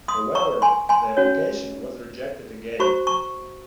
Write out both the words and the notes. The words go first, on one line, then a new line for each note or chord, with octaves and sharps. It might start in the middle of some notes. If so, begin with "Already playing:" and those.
However, the application was rejected again.
C6 D#6
A#5 C#6
G#5 C6
G#5 C6
C#4 F#4 C#5
F#4 C5 A#5 C#6
A#5 C#6